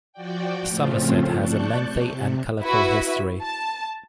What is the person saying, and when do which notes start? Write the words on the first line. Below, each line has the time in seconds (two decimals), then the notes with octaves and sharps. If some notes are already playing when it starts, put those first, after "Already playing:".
Somerset has a lengthy and colorful history.
0.13 F3 F#4 D5 G5
0.69 A2 C#3 F3 A3 C4 F4
1.37 D5 A5 C#6 F#6 G6
1.83 C3
2.62 E4 F#4 B4 E5
3.41 A5